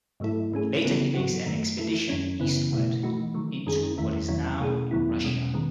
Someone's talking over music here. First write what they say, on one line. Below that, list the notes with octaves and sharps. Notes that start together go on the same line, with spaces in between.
Later, he makes an expedition eastward into what is now Russia.
G#2 F#3 A3 E4 A4
G#2 E3 A3 C#4 G#4
C#3 E3 B3 E4 A4
G#2 F#3 B3 F#4
F#2 D#3 A3
E3 A3 E4 A4
F#2 D#3 F#3 C#4
F#2 C#3 E3 B3 E4
B2 A3 E4
E3 A3 D#4 F#4
D#3 F#3 A3
F#2 D#3 G#3 C#4 G#4
E2 D#3 A3 E4
E2 D#3 F#3 C#4 E4
B2 A3 C#4 G#4
E2 D#3 F#3 B3 E4
E2 B2 G#3 C#4
D#3 G#3 B3